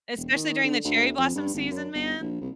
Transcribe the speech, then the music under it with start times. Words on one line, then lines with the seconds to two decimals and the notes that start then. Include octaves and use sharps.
Especially during the cherry blossom season, man.
0.16 E1
0.35 D#3
0.64 D3
0.84 D2
1.18 F2
1.35 G2
1.54 G#1
1.71 F#2
1.94 G1
2.21 A#1
2.41 C2